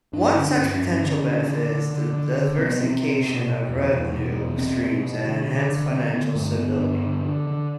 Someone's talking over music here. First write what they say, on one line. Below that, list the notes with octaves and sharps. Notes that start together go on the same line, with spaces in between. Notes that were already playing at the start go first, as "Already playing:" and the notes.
One such potential benefit is the diversification of revenue streams and enhanced financial stability.
G2 D4
D3 C#4
D4
G2 C#4
C#4
G2
C#4
D3
C#4
D3
D3
D3
D3
D3
D3
B2 C4
B3
B2 C4
B2
B2
B2
E2
E2
B2
E2
B2 C4
B2
B2
D3
D3
D3
D3 C4
D3 B3
G2 A3
D3 B3
G2
D3
D3
D3